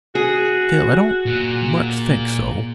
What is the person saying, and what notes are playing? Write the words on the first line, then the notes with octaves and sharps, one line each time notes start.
Still, I don't much think so.
F#4 G#4
A#2